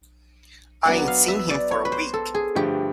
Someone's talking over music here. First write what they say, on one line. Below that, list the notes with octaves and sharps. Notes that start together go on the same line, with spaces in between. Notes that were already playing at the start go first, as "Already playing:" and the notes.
I ain't seen him for a week.
F#3 B3 D4 F#5
F5
E5
D5
C#5
B4
C5
A4
G#4
G2 D3 F3 A3 G4